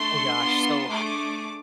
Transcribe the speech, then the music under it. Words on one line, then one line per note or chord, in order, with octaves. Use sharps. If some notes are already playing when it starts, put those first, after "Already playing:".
Oh gosh, so,
Already playing: A3 D4 A4 C6
B3 D4 F4
A3 D4 G#4 D6